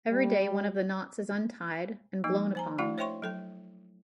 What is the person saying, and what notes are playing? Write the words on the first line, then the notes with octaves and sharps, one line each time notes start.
Every day one of the knots is untied and blown upon.
G3
F3 A#3 D#4
C5 G#5 A#5
A3 D4 E4 F#4 D5 F5
C5 C#5 E5 G5 C6 C#6
F#3 A4 G5